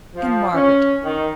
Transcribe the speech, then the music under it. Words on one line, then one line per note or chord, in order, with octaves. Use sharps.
And Margaret?
F3
C#4
D#3